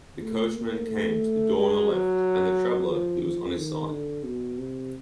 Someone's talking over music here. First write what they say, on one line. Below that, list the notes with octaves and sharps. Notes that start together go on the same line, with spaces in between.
The coachman came to the door on the left and the traveler who was on his side.
A3
A#3
A3
G#3
F#3
F3
F3
D#3
D3
B2
C3